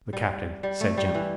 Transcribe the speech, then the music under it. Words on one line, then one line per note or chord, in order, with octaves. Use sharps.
The Captain said gently.
G3
G3
A3
G3
E3